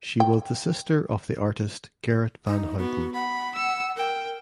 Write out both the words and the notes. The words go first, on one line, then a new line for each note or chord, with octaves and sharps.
She was the sister of the artist Gerrit van Houten.
G5
D#4
B3 F#4
F#5 B5
E6 C#7
A#4 G5